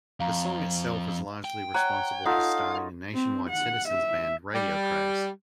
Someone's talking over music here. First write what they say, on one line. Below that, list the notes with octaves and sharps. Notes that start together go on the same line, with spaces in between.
The song itself was largely responsible for starting a nationwide citizens' band radio craze.
F2 F5 A#5
G5
C#5 F#5 A#5
D#4 F4 A4 F5 F#5
C4
F#5
E5
G3